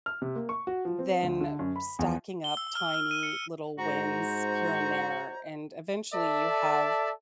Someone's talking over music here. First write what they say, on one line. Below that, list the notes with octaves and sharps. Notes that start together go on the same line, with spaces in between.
then stacking up tiny little wins here and there, and, eventually, you have
F6
C3
A#3
C#6
F#4
F3
C4
D2
D3
F#2
B5
E2
G7
E6
F6
F6
D#7
C#7
G#2 F#4 C5 A#5
A4 D5 E5 A5